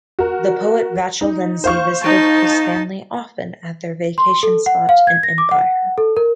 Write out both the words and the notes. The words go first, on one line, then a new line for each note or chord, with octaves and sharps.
The poet Vachel Lindsay visited his family often at their vacation spot in Empire.
F#4 A#4
D#4
C5 F5 C#6
D#4 A5
C6
A4
F#5
F5
G#6
A#6
D6
F#5
A4
A#4